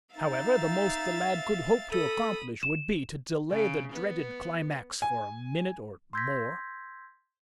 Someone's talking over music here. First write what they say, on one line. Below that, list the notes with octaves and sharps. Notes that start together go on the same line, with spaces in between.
However, the most the lad could hope to accomplish would be to delay the dreaded climax for a minute or more.
D#4 E5 F5 A6
A4 B5 D#6
E7
C#3
B3
G#5
C6 E6 G6 G#6 A#6 B6